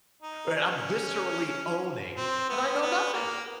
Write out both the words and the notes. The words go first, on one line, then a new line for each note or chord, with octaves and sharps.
Right? I'm viscerally owning, and I know nothing.
D#4
C#4
C4
B3
B3
A#3